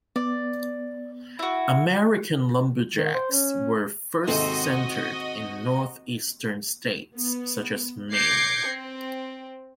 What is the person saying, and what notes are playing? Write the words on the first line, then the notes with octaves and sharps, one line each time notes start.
American lumberjacks were first centred in north-eastern states such as Maine.
B3 D5
E4 F#4
D#3
C5
C#4
D#2 G#2 C3 C4 F#4 A4 C5 D#5
B3
D6 G6 G#6 A#6 C7 C#7
C4